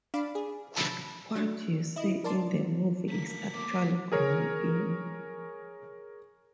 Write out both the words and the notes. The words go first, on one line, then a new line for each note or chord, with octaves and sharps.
What you see in the movie is actually grown in.
D4 F5 B5 D6
G#4
A5 B5 E6 A6 A#6 D7
F#3 A3 D4
E4 D#5
A#4 D5 A5 C6
A3 A#4 B6
D2 A#3 D6
G#4 A#4 C#5